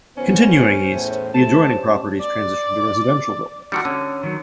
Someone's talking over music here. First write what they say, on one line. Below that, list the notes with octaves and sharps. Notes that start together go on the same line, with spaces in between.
Continuing east, the adjoining properties transition to residential buildings.
D#3 F#3 B3 C#4 C5
E2 A2
A3 A5
G2 C#4
D5
D3 D#3 G3 D4 F#4
D3 C#4
D#3 F#3